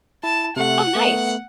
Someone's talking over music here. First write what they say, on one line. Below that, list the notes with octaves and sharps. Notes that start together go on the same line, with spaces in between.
Oh, nice.
E4 A5
C3 A3 F#5
A3 B3